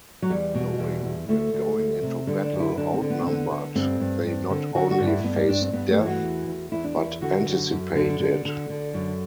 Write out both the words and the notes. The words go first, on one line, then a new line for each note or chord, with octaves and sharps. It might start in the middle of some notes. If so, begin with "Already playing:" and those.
Knowing that going into battle outnumbered they not only face death but anticipate it.
F#3
E2 G3
B2
E2
E2
D2 A3
D2
D2
C3
D3 G3
D4
F#2
E4
D3 D4
C4
D3
B3
C4
D3
B3
D3
G2 C4
G2
G2
D3
D3 F#4
F#4
G2
E4
G2 B3
G3
G2 D4
C4
G2 B3
A3
E3
F#4
E2
E2
E2 E4
D4
E2 E4
D3 F#4
F#2
F#2
D3
D3
D3
D3
F#2